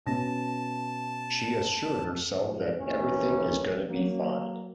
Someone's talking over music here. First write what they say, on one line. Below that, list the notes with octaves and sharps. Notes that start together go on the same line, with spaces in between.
She assured herself that everything is gonna be fine.
B2 C#4 A5 A#6
B1 G#2 C3 F3
A#1 D#2 E3 C#4
F#3 A#3